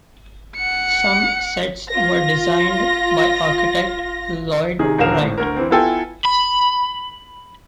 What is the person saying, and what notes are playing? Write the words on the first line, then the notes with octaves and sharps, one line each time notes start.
Some sets were designed by architect Lloyd Wright.
F#5 C#7
F4 A#6
C3 D#3 G#4
D#1 D3 A#4 F5 E7
G#1 A2
D2 A#4
E3 C4
B3 E4 F4 A4 G5 G#5
B5